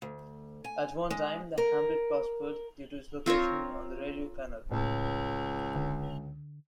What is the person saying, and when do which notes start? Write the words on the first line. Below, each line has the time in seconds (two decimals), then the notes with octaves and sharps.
At one time, the hamlet prospered due to its location on the Rideau Canal.
0.02 D2
0.64 G#5
1.11 G#3
1.58 A#4
3.26 C4 F4 A#4 C#5
4.71 C#2 A2
5.75 D3